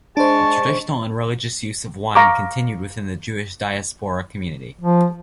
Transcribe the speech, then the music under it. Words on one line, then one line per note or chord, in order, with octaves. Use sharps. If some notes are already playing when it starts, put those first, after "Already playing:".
The traditional and religious use of wine continued within the Jewish diaspora community.
G#3 D4 C5 A5 C#6
F5 A#5 C#6 D6
F3